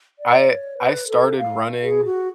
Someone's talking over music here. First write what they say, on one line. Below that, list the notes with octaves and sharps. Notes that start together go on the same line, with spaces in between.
I I started running,
D5
C#5
B4
A4
F5
G#4
F#4